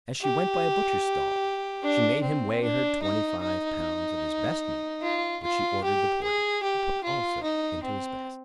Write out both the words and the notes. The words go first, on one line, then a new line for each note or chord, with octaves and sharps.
As she went by a butcher's stall, she made him weigh her twenty five pounds of his best meat, which she ordered the porter to put also into his basket.
G4
D4
C4
D4
D#4
D#4
F4
F4
G4
G#4
G4
F4
D#4
C4